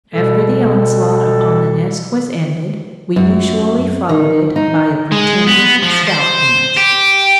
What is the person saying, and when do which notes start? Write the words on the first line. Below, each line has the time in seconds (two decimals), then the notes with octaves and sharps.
After the onslaught upon the nest was ended, we usually followed it by a pretended scalp dance.
0.14 B2 G3 A4
3.16 F#2
4.09 D#3
4.56 D#4
5.12 G#3
5.47 B3
5.82 F3
6.07 C5
6.77 G4